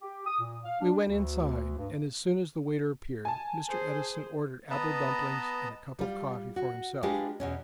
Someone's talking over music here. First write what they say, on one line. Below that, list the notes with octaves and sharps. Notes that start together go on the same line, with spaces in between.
We went inside and as soon as the waiter appeared Mr. Edison ordered apple dumplings and a cup of coffee for himself.
G4
D#6
A#2
F5
D4
D2
G2
G#5 A5
G#4 C5
B3 B4 D#5 A5 A#5
G3 F4
F#4
G#3 D4 F4 G4 G#4 B4
E2 B2 C#4